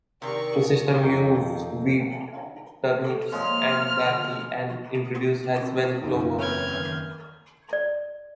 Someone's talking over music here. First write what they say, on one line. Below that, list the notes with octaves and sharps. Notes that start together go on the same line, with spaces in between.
The system used wheat, turnips and barley and introduced as well clover.
C3 D#3 G4 A#4 D5 C#6
F2 D#3 A#4 G5 A#5 G6
C4 A4 B4
A#2 F3 G#3 C#5 F6
D3
C4
F#1 E2 D#4
E3 C4 C#5 F6 G6 G#6
D#3
D5